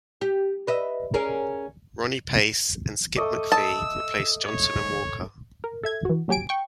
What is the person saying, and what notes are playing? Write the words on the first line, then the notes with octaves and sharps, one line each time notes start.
Ronnie Pace and Skip McPhee replaced Johnson and Walker.
G4
B4 D#5 E5
C#4 G#4 A#4
A3 D#5 D6
D#5 A5 E6
C#5
A#4
A4 E5 G#6
E3 F#4
A#1 F#3 G4 G#5 D7
G5 C#6